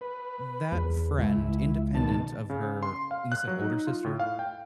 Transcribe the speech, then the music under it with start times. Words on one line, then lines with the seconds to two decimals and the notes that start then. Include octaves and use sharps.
that friend, independent of her, you said older sister?
0.01 B4
0.72 E2
1.18 C#2 E4
1.95 B2 D#3 A5
2.50 C#3
2.83 C6
3.11 F5
3.32 F#6
3.48 F#3
3.62 D#4
3.87 F4
4.04 A2
4.20 F5
4.39 G5